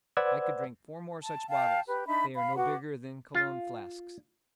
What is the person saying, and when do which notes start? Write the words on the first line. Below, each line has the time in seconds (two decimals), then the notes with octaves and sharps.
I could drink four more such bottles; they are no bigger than cologne flasks.
0.17 B4 C5 D5 F#5 E6 G#6
1.22 A5
1.49 F5 G5 A5
1.87 G4 B4
2.06 D4 D#4 E5 B5
2.34 F5 B5
2.56 F#4 B4 F#5 D6
3.35 F4